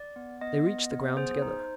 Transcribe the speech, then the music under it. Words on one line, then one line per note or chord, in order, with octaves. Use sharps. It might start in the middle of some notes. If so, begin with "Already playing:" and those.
They reached the ground together.
Already playing: D5
B3
B3 D#5
B3
B3
G#4 C5
D#4